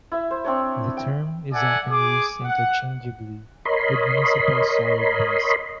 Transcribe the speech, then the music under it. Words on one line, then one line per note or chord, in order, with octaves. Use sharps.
The term is often used interchangeably with municipal solid waste.
E4 E5
C5
C4 D4 C#5
G5
A4 D5 E5 F#5 G#5
G#4 D6
F#5
A#4 C#5 D#5 B5 C6